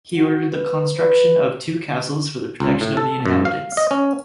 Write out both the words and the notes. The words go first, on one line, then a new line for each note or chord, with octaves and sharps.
He ordered the construction of two castles for the protection of the inhabitants.
F#4
B4
B4
C#2
A2
A4
F#2
F5
D#5
C#4